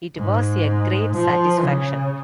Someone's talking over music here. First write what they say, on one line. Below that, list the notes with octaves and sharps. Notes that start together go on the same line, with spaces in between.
It was a great satisfaction.
G#2
F3
C#3